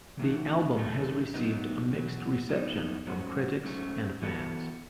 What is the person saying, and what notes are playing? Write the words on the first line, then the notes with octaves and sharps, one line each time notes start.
The album has received a mixed reception from critics and fans.
A2 E3 A3 D#4 F#4
F#2 D#3 A3 D#4 A4
A2 F#3 B3 D#4
E2 B2 F#3
A2 F#3 B3 D#4
G#2 F#3 A3 C#4 F#4
G#2 F#3 A3 C#4
E3 B3 F#4 A4